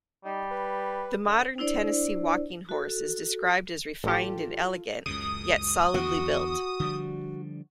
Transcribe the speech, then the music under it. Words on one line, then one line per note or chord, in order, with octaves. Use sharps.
The modern Tennessee Walking Horse is described as "refined and elegant, yet solidly built".
G3 D#4
B4
D3
D4 E4 C5 D5
F#4 A4
A1 F4 G4 A4
C#2 F#2 C#3 D#6
E2 D3 F#4
D3 F3 G3